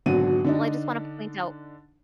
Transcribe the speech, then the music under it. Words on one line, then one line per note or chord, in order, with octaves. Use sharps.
well, I just wanna point out
G#1 B2 D3 F#3 F#4 D#7
D3 D4 D#4